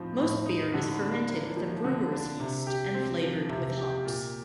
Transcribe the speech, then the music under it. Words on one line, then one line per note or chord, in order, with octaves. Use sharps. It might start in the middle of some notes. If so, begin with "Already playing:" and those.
Most beer is fermented with a brewer's yeast and flavoured with hops.
Already playing: A2 F3 C4 D#4
A2
D#4
D3
D4
A#3
F3
D3
D4
C3
G4
C4
F3
C3
G4
A#2